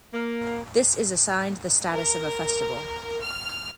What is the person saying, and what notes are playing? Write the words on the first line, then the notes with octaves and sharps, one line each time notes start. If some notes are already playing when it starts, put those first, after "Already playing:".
This is assigned the status of a Festival.
A#3
A#4
F6